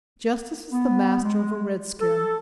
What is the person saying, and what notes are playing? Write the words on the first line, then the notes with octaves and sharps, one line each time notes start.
Justice is the master of a red-skin.
B3
G#3
A4